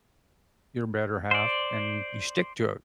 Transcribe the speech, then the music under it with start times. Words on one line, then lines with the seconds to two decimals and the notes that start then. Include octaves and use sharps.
your better half, and you stick to it.
1.31 C5 D5